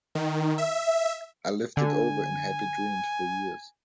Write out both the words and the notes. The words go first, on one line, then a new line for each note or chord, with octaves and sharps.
I lived it over in happy dreams for years.
D#3
E5
D3 G#5